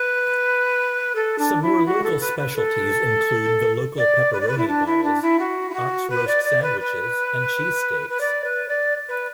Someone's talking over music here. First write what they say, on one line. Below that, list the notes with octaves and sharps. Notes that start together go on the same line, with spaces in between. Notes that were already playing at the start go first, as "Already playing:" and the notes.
Some more local specialties include the local pepperoni balls, ox roast sandwiches, and cheesesteaks.
Already playing: B4
A4
D4
E4
F#4
A4
B4
B4
A4
D5
B4
D5
B4
E4
D4
E4
D4
E4
F#4
E4
F#4
B4
D5
D5
B4
B4
B4
D5
B4
D5
B4